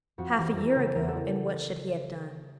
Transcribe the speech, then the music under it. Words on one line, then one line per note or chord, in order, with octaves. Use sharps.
Half a year ago, and what should he have done?
F2 F#4
E3 G4
F2 A4
A#4
C#3
A4
E2 A#4
A4